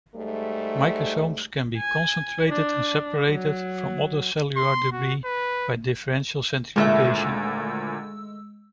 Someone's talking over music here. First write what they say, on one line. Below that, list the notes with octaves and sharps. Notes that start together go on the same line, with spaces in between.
Microsomes can be concentrated and separated from other cellular debris by differential centrifugation.
G#2 G3 A3
G#5
D4
F#3
C6
F#4
B4
D2 A#2 D#3 G#3 A3 E5 E6